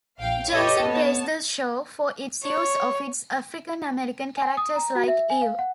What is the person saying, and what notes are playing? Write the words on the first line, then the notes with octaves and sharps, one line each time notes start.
Johnson praised the show for its use of its African American characters like Eve.
A#1 F5 G5
G4 A4 B4 C#5 D#5
B3 C#5 A5
C#5
G#5
D#6
A#5
F#4
E5
G#5
F5
F#5